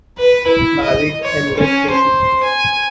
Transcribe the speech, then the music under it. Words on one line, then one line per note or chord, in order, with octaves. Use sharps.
Married and left issue.
B4
E4
D#5
C#5
C#4
C5
G#5